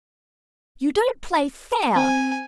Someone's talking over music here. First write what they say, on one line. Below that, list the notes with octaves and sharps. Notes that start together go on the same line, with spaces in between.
"You don't play fair."
C4 G#5